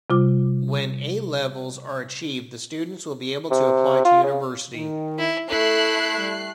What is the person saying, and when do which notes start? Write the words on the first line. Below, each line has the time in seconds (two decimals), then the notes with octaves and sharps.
When A levels are achieved the students will be able to apply to university.
0.10 C3 G3 F4 D6
3.51 C3
4.05 F4
4.24 C#3
4.75 D#3
5.18 E4
5.49 A3 E4 A4 F#6 C7
6.17 G3